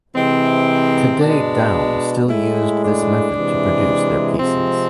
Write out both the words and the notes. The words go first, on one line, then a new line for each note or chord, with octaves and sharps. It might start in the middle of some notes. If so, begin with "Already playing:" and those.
Today Daum still used this method to produce their pieces.
C3 E3 G#3 C4
B2 G#3 D4
A2 G#3 E4
D4
C3 E3 G#3
C3 F3 G#3 C4